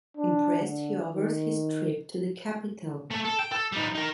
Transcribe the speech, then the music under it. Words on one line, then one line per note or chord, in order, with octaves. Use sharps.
Impressed, he offers his trip to the capital.
D4
D3
D#3
A3
A4
G5
A4
G3 D#4
D#4 A#4